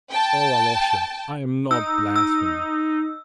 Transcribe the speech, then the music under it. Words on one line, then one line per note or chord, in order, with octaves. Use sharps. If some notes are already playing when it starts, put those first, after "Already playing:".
Oh, Alyosha, I am not blaspheming!
G5 A5
D#4 E6
E6